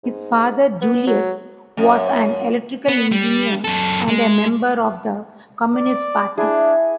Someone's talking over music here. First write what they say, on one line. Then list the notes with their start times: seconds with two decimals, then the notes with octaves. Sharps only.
His father Julius was an electrical engineer and a member of the Communist Party.
0.04 G#2
0.81 B3
1.07 F#3
1.77 F#2
2.88 B3
3.12 G3
3.64 F#2 A4
4.09 G#3
5.75 D5
6.38 D4 E4 G#4